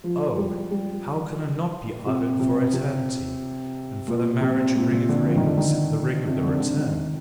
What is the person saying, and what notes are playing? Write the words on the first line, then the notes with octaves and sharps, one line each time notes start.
Oh, how could I not be ardent for Eternity and for the marriage-ring of rings--the ring of the return?
F3
G3
G3
C3
C3
C3
A#2
C3
A#2
A#2
D3
F3
D#3
D3
D#3
C3
D3
D3
D#3